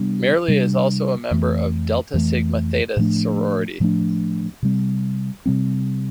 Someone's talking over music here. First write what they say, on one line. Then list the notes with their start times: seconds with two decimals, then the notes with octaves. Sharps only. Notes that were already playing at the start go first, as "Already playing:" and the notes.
Myrlie is also a member of Delta Sigma Theta sorority.
Already playing: C3 G3 B3 D4
0.48 C3 G3 B3 D4
1.31 F2 E3 A3
2.14 F2 E3 A3
2.97 A2 F3 A3 D4
3.80 A2 F3 A3 D4
4.63 C3 G3 C4
5.46 C3 G3 C4